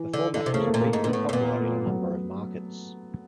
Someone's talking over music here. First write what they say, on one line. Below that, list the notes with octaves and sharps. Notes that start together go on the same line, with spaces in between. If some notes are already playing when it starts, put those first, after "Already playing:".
The format was briefly popular in a number of markets.
Already playing: E3
D3
D3
C3
C#3 A3
A#3
A3
A#2
A#3
G#2
A#2 B3
A2
A2
A#2 B3
A3
F#3